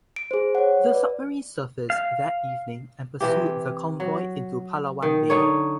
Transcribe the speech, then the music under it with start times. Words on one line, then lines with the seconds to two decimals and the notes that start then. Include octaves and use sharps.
The submarine surfaced that evening and pursued the convoy into Palawan Bay.
0.16 D7
0.31 G#4 C5
0.55 C#5 F#5
0.90 B4 D5
1.90 F5
3.21 C3 E3 G4
4.00 F#3
5.02 D#3
5.30 D3 D#4 C#5